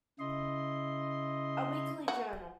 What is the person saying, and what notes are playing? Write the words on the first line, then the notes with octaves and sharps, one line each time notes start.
A Weekly Journal.
C#3 E4 D#5 C6
F#4